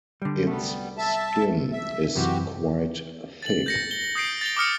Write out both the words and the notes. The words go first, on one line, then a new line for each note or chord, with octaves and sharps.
Its skin is quite thick.
D3 G3
C2 G3 A3 B3
E5 A5
E5
F#2 C3 E3 F#4 G4
A6 F#7
G6 A#6 C#7
G7
D#6 G6 C7 D7
A6 F7 G7
D6 D#6 F6 C#7